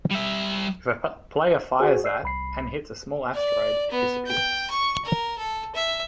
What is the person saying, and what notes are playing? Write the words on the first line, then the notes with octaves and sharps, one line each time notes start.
If a player fires at and hits a small asteroid, it disappears.
G3 E5
F#4 G#4 C5
D5 E6 C7
C2 B5 C7
D5
B3
G5
C#6
A#4
A4
E5